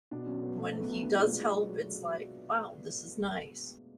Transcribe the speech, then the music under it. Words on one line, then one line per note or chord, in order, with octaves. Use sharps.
when he does help, it's like, "Wow, this is nice."
B2 D4
F#3 C#4
F#3 B3
B2 A3
F#3 A3
B3
B2 A3
B2 D4
F4
F#3 D4
B2 G#3
F#3
F#3
F#3
F#3